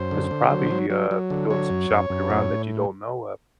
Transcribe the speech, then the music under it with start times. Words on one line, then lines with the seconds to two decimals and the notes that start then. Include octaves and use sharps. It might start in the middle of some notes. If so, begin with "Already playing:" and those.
is probably, uh, doing some shopping around that you don't know of
Already playing: F#2 C5
0.11 D3
0.31 D3
0.51 F#3
0.71 F#3
0.90 F#3
1.11 F#3
1.30 D3
1.50 F#3 C#5
1.70 F#2
1.90 F#2
2.10 F#2
2.30 A2
2.50 A2